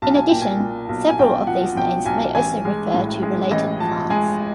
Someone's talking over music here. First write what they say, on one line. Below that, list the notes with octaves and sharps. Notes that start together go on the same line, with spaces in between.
In addition, several of these names may also refer to related plants.
B1 A5
G#5
A#2 G5
G#5
A#2
B1
G#5
B1 G5
F3 F#5
B1 G5
B1 G#5
A1 G#5
G#3
A2
G#3
A1 D#5
F3 A5
G#3 G#5